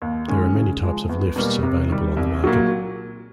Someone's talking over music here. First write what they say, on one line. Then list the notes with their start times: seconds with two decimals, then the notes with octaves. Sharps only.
There are many types of lifts available on the market.
0.02 D#2
0.28 D#3 G#3 C#4
0.55 C#3
0.82 F3 G#3
1.09 E2
1.36 B2 G3 A#3
1.63 C3
1.89 D#3 G3
2.17 C2
2.44 A#2 F#3